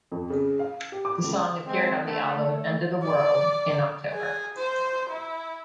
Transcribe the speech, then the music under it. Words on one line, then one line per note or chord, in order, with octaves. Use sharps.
The song appeared on the album "End of the World" in October.
F2
C#3
F5
G4
D6
C#2
G#3 C4
D3 A3
A3
D5
G#4
C5
E4